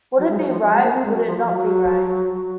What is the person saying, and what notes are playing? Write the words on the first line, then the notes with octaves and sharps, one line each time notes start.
Would it be right, would it not be right?
F#3
G#3
F#3
F3
F#3
G#3
A#3
C4
G#3
F#3
F3
F#3
F3
F#3
F#3